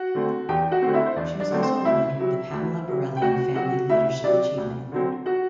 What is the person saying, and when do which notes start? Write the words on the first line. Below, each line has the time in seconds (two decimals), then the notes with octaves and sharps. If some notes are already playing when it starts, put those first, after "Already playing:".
She was also awarded the Pamela Borelli and Family Leadership Achievement Award.
Already playing: F#4 F#5
0.15 D3 A3 C4
0.49 E2 G4 G5
0.71 F#4 F#5
0.82 D3 A3 C4
0.94 E4 E5
1.06 C5
1.16 E2 D4 D5
1.40 D4 D5
1.51 D3 A3 C4
1.62 C4 C5
1.85 D2 E4 E5
2.19 C3 F#3
2.53 D2
2.88 C3 F#3
3.17 G5
3.21 D2 F#4 F#5
3.55 C3 F#3 F#4 F#5
3.89 D2 E4 E5
4.24 C3 F#3 D4 D5
4.58 D2
4.92 D3 F#3 C4
5.26 F#4 F#5